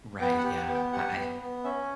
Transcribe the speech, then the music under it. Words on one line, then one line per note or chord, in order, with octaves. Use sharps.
Right, yeah, I I
B3 G5
F#5
G4
F#5
B3
G5
G4 F#5
B3
B3
C#4 E5